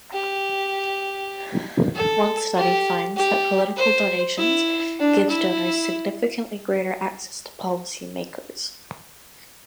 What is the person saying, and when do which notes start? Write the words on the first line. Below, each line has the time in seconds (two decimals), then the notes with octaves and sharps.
One study finds that political donations gives donors significantly greater access to policy makers.
0.13 G4
1.95 A4
2.57 G4
3.17 G4
3.77 C5
4.38 E4
5.00 D4
5.30 E4